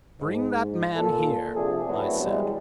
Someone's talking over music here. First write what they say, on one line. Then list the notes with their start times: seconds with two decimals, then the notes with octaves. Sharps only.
"Bring that man here," I said.
0.20 G#2
0.96 A#2 A4
1.55 C2 C3 F3 D4 G#4 A4
1.87 F#3 A3 B3 C4 D4 E4
2.22 B2 E3 G3 G#3